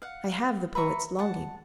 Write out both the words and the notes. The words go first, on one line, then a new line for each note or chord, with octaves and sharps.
I have the poet's longing.
F5 F#5
B4 E5 A#5 C#6
F#5 A5